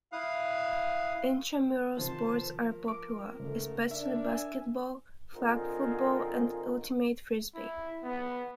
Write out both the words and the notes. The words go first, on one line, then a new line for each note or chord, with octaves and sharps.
Intramural sports are popular, especially basketball, flag football, and ultimate frisbee.
E4 F5 D#6 F#6
C3 D#3 F3 C5 A5
A#4
D6
C#2 G#2 A3
D4 E5
G#5 E6
D3 C4 D#4 F4 G#4 A#4
E4
B3